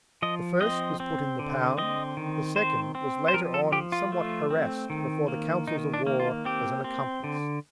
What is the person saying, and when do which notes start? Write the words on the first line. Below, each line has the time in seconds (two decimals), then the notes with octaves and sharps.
The first was put in the pound, the second was later on somewhat harassed before the councils of war as an accomplice.
0.22 F3 D#5
0.61 C4 D#5
1.00 C4
1.39 D3
1.78 C4 D#5
2.17 D#3
2.56 C4 C5
2.95 C4
3.28 C5
3.34 F3 A#4
3.54 A4
3.72 F3 G4
3.92 F4
4.12 A3
4.50 C4
4.90 D#3
5.28 A#3
5.67 D#3 D#4
5.94 D4
6.07 A#3
6.20 F4
6.45 C4 G4
6.84 C4
7.24 D3